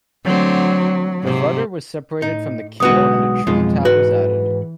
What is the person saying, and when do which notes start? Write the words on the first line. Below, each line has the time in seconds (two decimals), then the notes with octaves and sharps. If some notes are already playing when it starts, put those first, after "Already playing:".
The rudder was separated from the keel and a trim tab was added.
0.25 D3 F#3 A3 C4
1.23 G#2 C3
2.22 A2 D#4
2.80 B1 D3 G#3 B3 F#4 D#6
3.47 B1 F2 G#3 F4
3.85 G#2 E3 F#4 B4